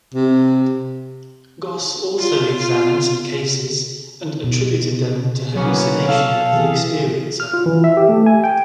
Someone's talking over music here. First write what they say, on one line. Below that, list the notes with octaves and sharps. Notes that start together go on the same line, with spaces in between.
Goss also examined some cases and attributed them to hallucination of the experiencer.
C3
F4
B2
F#3 A#3 B3 C#4
A4 F5
E3 G#4
F6
F4
E3
E5
G4
A3
G#5
G5